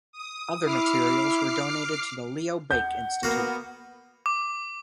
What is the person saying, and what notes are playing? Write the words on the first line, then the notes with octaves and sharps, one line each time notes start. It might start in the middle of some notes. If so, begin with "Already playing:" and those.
Other materials were donated to the Leo Baeck Institute.
D#6
E4 D6 F6 C7
F#5 G6
A#3 B3 F#4
D6